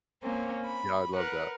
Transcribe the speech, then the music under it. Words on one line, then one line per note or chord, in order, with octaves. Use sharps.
Yeah, I love that.
A#3 C4 C#4
B5
A#4 B4 F#5